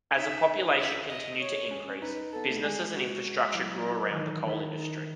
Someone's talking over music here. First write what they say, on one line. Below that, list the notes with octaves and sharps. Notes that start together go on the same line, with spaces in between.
As the population continued to increase, businesses and infrastructure grew around the coal industry.
D#4 E5
E5
D#5
C#5
C#4
D#4 B4
B3 A4
A3
G#3 G#4
F#4
F#3 E4
E4
D#3
E3 D#4
D#3 E4
D#4